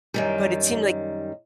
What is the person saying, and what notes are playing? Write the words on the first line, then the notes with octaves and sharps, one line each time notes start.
but it seemed like
F#2 D#3 G3